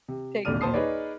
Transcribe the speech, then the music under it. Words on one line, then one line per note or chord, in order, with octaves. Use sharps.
Take care.
C3
D#1 G#1 D3 D5 F6 D#7
A#1 D#2 C5 A5 D#6 C7
D#4 G#4 B4 C#5 D5